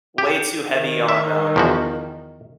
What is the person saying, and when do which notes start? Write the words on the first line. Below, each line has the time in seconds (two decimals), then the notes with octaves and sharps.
way too heavy on, um,
0.18 G4
0.75 D#3
1.09 E5
1.56 E2 F3 F#4